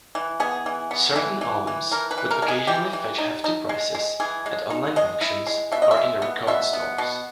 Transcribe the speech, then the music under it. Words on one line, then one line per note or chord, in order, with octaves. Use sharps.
Certain albums would occasionally fetch hefty prices at online auctions or in record stores.
E3
B3 G#4
E3
B3
E3
E3
E3
E3 A#4
B4
E3
A#4
G#3 A#4
G#4
E3 G4
E3
D#4
D#4
G#3
G#3
E3 G#4
G#3
D#4
G#3 D#5
E4
G#3
B2 E5
D#5
E5
G#3
B3
B2 E5
B3
B2